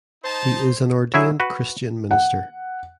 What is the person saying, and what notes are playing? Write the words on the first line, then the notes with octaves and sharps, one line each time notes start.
He is an ordained Christian minister.
D#4 C5 A5
F#3 E4 G#4 E5
F#4 B4
F#5